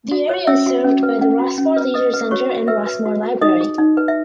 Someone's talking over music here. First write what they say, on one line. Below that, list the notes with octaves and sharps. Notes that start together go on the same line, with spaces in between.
The area is served by the Rossmore Leisure Centre and Rossmore Library.
F#4
C#5
C#4 E5 E6
F#4
C#4
B4
C#4
F#4
C#4
B4
B4 D#5 D#6
B4
F#4 C#5 C#6
F#4
B4 E5 E6
B4
F#4
F#4
D#4 D#5 D#6
G#4
D#4
B4
E5